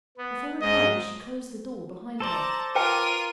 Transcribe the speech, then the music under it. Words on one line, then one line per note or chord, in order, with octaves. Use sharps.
Before replying she closed the door behind her.
B3
G#2 D#5
A4 C5 D5 A5 A#5
F4 A#4 B4 G5 D#7